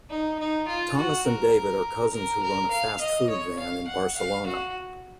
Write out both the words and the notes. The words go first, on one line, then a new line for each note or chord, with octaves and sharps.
Thomas and David are cousins who run a fast food van in Barcelona.
D#4
D#4
F4
F#4
A#4
A#4
A#4
F5
D#5
C#5
F5
F#5
F5
F#4